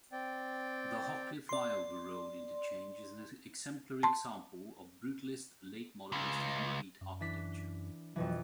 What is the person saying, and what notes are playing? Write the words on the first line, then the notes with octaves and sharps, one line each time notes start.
The "Hockley flyover" road interchange is an exemplary example of brutalist late-modernist concrete architecture.
C4 D5 G5
D5 C6
A5 C6
C#2
F#2
E3 D4 B6
F2 B2 E3 F#3